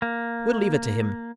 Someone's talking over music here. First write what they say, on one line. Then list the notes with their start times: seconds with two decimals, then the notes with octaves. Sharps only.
We'll leave it to him.
0.02 A#3